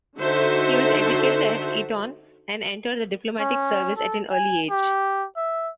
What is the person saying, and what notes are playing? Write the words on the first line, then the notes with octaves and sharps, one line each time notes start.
He was educated at Eton and entered the Diplomatic Service at an early age.
D3 D#4 F#4 A4 C5 E5
C#4
A4
G#5
G4
E5